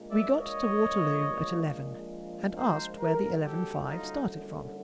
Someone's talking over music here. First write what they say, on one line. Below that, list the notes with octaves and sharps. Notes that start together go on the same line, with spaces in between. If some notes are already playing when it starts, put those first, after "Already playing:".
We got to Waterloo at eleven, and asked where the eleven-five started from.
Already playing: A#1 A#2 F3 G#3
D5 E5
C#5 D#5
A#4 C5
F#1 F#2 D3 G3 G#4 A#4
G4 A4
D#4 F4